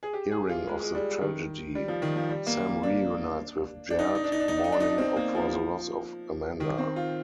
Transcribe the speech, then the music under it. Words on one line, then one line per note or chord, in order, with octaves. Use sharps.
Hearing of the tragedy, Sam reunites with Jared, mourning for the loss of Amanda.
G#4
G4
G#4
F4
G#3
G#3
G3
D#3
G3
F3
D#3
F3
G3
A#3
D4
D4
D#4
D4
D#4
D4
D#4
D4
D#4
D4
D#4
D4
D#4
D4
C4
A#3
F3
D#3
C4
F4